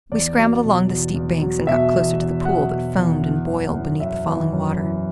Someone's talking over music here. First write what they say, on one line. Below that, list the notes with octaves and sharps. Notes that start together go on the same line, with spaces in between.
We scrambled along the steep banks and got close to the pool that foamed and boiled beneath the falling water.
E2 D5
F#3
B2
E2
E2
F#3
B2 E5
E2
E2
F#3 F#5
B2
E2
E3
F#2
E3
F#2 E5
E3
F#2
E3